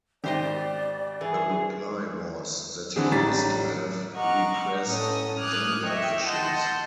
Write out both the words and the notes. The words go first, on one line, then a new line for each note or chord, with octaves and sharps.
The reply was that he used to have "repressed anger issues".
G#1 G4 C5 D5 D#5 G5 G7
E3 G#4
D3 E3 C4 G#4
A1 G3 D4 A#5 A6 B6
D#5 F#5 A#5 C#6 D6 F6
A2 C#4 A4 D#6
D6 D#6 F6 F#6 G#6
D#5 E5 G5 C#6
D#5 F#5 A5 C6 G6